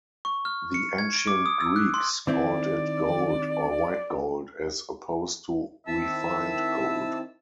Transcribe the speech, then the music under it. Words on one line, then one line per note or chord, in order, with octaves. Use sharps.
The ancient Greeks called it 'gold' or 'white gold', as opposed to 'refined gold'.
C#6
F6
C#7
G#6
D7
D6
D#6
E6
F#6
C6
D#3 C4 E4 D5
D#3 C4 E4 E5 A5 E6